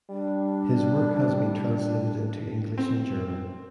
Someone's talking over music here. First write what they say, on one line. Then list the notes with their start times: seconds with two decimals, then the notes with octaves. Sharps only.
His work has been translated into English and German.
0.10 G3 D4
2.78 C4